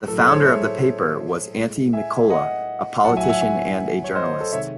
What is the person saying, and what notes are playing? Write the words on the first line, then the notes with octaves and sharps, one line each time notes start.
The founder of the paper was Antti Mikkola, a politician and a journalist.
A2 F#3 A4
A4
C#5
G#4 C5
C#5 E5
A2 G#3
E5 G#5
D#5 F#5
A2 F#3 F#5 A5
E5 G#5
F#5
E5 G#5
E5 G#5
C#5
C5 D#5
A4
C3 D#3 G#3 C#5 E5